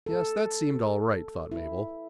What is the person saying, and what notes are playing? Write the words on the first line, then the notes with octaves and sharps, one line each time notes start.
Yes--that seemed all right, thought Mabel.
A4
E4